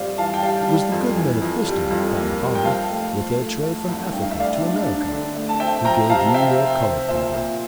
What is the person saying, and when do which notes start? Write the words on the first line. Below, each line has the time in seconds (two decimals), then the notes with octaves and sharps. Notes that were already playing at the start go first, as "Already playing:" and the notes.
It was the good men of Bristol, by the bye, with their trade from Africa to America, who gave you your colour problem.
Already playing: F2 G3 C5 D5 E5 F5
0.18 E3 F5 A5
0.34 G5
0.42 G3 F5 A5
0.67 G3
0.92 F2
1.17 E3
1.41 F2
1.66 G3
1.91 F2
2.15 A#3
2.39 G3
2.55 G5
2.64 F3 F5 A5
2.90 A3
3.14 F3
3.39 A3
3.63 A3
3.88 C2
4.12 D4 G5
4.22 F5
4.31 E5
4.37 A3 D5 F5
4.62 D4
4.87 D4
5.12 D3
5.36 A3
5.49 A5
5.60 C4 E5 G5
5.85 F3 G5 A#5
6.09 C3 F5 A5
6.34 C4 E5 G5
6.59 C4
6.84 C4
7.08 A#2 C5 E5
7.33 A#2